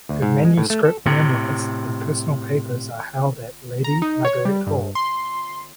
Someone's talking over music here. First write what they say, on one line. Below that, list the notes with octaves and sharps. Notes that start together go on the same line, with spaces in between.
Her manuscript memoirs and personal papers are held at Lady Margaret Hall.
D2
G#2
G#3
A2
A3
A4
A2 C3
A#5
D#4
C#5
G3
G2
C6